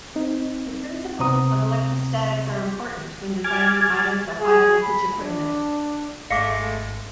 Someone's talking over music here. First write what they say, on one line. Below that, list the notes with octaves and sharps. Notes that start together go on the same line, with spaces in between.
The principles of electrostatics are important when designing items of high-voltage equipment.
C4 D#4
C#2 C3 C4 A#5 D#6
G#5 D6 F6 G#6 A6
G#4
B5
D4
G#1 G#3 A3 F5 D6 A#6 C7 C#7